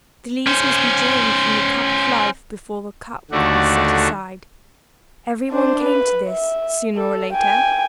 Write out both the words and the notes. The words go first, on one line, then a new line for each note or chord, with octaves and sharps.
The lees must be drained from the Cup of Life before the Cup could be set aside. Every one came to this, sooner or later.
C#4 C5
D#2 D3 A3 D4 F#4
D4 C5
B4
E5
A4
G5 G#5